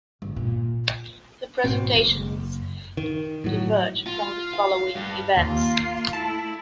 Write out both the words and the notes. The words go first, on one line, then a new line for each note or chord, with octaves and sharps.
The presentations diverge from the following events.
G1
A#2
G#1 B2 C4
F#1
D#3
A2 F#3
F4
F5
G2
D#2 A#3 F4
C7
A3 E4 A5